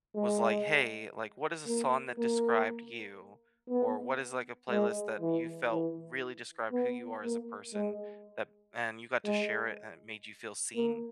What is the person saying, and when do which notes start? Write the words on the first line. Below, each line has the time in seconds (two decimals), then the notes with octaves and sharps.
was like, "hey, like what is a song that described you, or what is like a playlist that you felt really described who you are as a person," that and you got to share it and it made you feel seen?
0.16 G#3
1.67 A#3
2.18 A#3
3.69 B3
4.70 G#3
5.21 E3
5.72 E3
6.72 B3
7.23 A#3
7.73 G#3
9.25 G#3
10.76 A#3